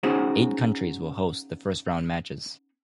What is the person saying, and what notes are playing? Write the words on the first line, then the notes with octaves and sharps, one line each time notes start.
Eight countries will host the first round matches.
B3 C#4 D#4 F#4 G#4 C5